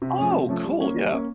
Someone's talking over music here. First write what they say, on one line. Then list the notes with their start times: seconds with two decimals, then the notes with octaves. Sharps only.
Oh, cool, yeah.
0.02 C3
0.18 F3 A3 C#4
0.33 C3
0.49 F3 A3 C#4
0.64 G3
0.80 A#3 C#4
0.97 G3
1.12 A#3 C#4